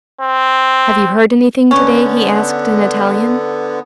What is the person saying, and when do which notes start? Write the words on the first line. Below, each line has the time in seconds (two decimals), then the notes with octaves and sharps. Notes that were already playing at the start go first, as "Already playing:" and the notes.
"Have you heard anything to-day?" he asked in Italian.
0.21 C4
1.71 D3 B3 C#4